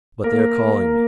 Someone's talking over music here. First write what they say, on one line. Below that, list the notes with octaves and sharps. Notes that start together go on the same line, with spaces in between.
But they are calling me.
A#3 A#4
A#3